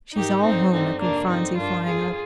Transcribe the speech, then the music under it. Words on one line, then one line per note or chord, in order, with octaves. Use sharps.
"She's all home," echoed Phronsie, flying up.
G#2 D#3 D#4 G4
G2 D3 C4 D#4
G2 D3 C4 D#4
F2 C3 D#3 A#3 D4
G2 D3 C4 D#4
G2 D#3 D4 F4
F2 D3 F4 G#4